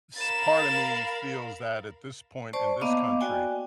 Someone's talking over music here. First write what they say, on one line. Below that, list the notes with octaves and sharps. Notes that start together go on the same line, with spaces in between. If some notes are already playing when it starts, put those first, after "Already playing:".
s part of me feels that at this point in this country,
A#4 F5 B5 A6 E7
C5 D5 A5 C#6
A#3 B3 D#5 F5 D6
F#4 D5 G5 G#5